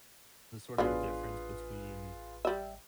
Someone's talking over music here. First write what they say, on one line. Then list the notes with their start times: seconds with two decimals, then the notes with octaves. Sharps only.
the sort of difference between
0.78 A1 D3 F#3 B3 F4 G#4 B4
2.45 G3 E5